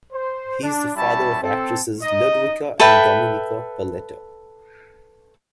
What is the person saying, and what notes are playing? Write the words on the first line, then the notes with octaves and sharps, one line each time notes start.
He is the father of actresses Ludwika and Dominika Paleta.
C5
D4
G3 C#4 E4 A5 B5
C4 A4
D#4 D#5
A4 B4 E5 G5